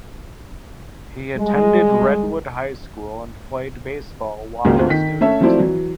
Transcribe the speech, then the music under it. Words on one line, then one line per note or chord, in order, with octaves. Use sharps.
He attended Redwood High School and played baseball while a student.
G3 G#3
C#2 C#3 F#3 A#3
D2 C4 F4
D#3 B6
A3 C#4 A4 E5
F3 F#3 A3 C4 E4 D5
E3 F#3